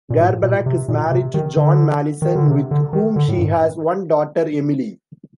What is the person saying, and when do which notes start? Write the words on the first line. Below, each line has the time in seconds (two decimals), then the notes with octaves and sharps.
Garbarek is married to John Mallison, with whom she has one daughter, Emily.
0.10 A#2
0.21 A2
0.43 A#2
0.66 C3
0.88 A#2
1.11 C3
1.34 D#3
1.57 D3
2.22 D#3
2.35 D3
2.47 C3
2.71 D3
2.93 D#3
3.16 D3
3.28 A2
3.39 G2